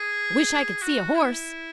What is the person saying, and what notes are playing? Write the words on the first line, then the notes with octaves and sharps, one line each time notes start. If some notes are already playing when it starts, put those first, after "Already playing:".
"I wish I could see a horse."
Already playing: G#4
F#4
E4